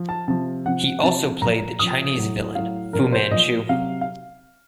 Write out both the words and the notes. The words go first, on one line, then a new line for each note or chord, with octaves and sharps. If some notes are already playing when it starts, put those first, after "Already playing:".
He also played the Chinese villain Fu Manchu.
Already playing: F3
A5
C3 F3 A5
C3 F3 F#5
C3 F3 A5
A#2 F3 A#5
A#2 F3 D#6
A2 F#3
A2 F#3 F5
A#2 F3 A#4
C5
A#2 F3 D#5
C3 F#3 F5
F5